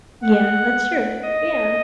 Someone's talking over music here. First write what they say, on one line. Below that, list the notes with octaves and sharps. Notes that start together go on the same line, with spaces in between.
Yeah, that's true, yeah.
F#5
D#5